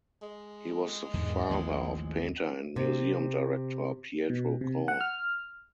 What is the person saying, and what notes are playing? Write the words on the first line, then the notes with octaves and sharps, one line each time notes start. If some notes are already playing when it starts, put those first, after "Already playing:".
He was the father of painter and museum director Pietro Krohn.
G#3
E2 G#2 D3
A1 D#2 F3
C3
B2
C3
F#5
F6